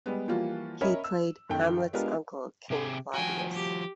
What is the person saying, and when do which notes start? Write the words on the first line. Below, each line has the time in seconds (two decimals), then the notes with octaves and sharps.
He played Hamlet's uncle, King Claudius.
0.06 G3 G#3 B3
0.28 E3 F3 G3 A#3 F4 F#4
0.81 C#4 A#4 C#5 D#5 E5 B5
1.04 E6
1.50 F#2 D#3 A4 G5
1.93 G#3 B3 D4 F4 G4 A#4
2.70 C3 G4 G#4
3.14 F3 F#4 G5 G#5
3.54 G4